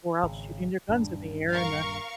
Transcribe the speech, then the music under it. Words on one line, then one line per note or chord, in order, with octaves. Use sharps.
were out shooting their guns in the air, and the
G#1 C#3
D#1 G2 D4
A#4 F5 C#6